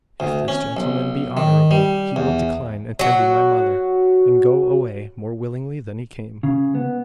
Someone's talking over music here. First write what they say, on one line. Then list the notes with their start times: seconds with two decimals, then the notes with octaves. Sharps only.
If this gentleman be honourable, he will decline attending my mother, and go away more willingly than he came.
0.20 D2
0.48 C#4
0.77 B1
1.37 D#3
1.71 G3
2.16 E2
2.99 F#3 F#4
6.43 C#3
6.75 B3